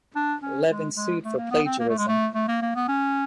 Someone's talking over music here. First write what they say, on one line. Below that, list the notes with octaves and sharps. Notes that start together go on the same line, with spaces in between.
Levin sued for plagiarism.
D4
C#4
G#3
G#3
A3
A#3
B3
C4
A#3
A3
G#3
A3
A3
A#3
A#3
B3
C#4